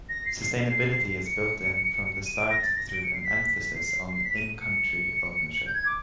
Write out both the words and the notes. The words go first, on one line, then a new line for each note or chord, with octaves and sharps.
Sustainability is built in from the start through an emphasis on in-country "ownership".
A#6
C7
C#7
D#7
D7
A#6
A6
A#6
D7
C#7
C7
B6
C7
C7
B6
D#7
C#7
G6
G#6
D6